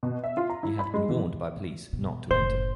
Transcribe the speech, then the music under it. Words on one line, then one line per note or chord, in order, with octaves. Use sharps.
He had been warned by police not to enter.
B2
E5
F4
A#5
E4
B5
G#3
E3
B2
F#1 A2 C5